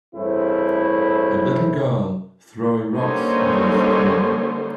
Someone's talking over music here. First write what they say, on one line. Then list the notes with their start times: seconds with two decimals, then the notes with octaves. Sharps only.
A little girl throwing rocks into a stream.
0.15 A1 G2 C#3 A3 C4 E4
2.96 D3 G3 A#3 C#4 D#4 C5